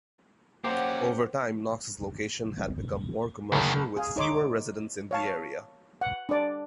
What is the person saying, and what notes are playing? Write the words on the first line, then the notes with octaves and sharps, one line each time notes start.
Over time, Knox's location had become more commercial with fewer residents in the area.
A#3 C#4 G4 C5 F#5
F#1 D2 D#3
G#4 F5
D#4 C#5 C6 D6
C#5 F5 A5
F#5
D4 D5